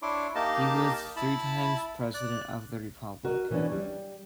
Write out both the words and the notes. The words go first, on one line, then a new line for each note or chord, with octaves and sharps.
He was three times President of the Republic.
D4 E4 C#5 C6 D6
A#3 D#4 G4 D#5 F5 A5
E4 A5 B5
D5 F#6
F#4 A#4 D#5
B2 E3 A#3 B3 C#4 D4
G3